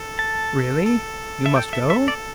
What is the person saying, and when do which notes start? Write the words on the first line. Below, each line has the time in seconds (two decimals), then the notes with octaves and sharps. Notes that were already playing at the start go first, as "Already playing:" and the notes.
Really--you must go?
Already playing: A4
0.19 A5
0.87 A4
1.46 E5
1.56 G5
1.73 E5
1.90 E5
2.08 D5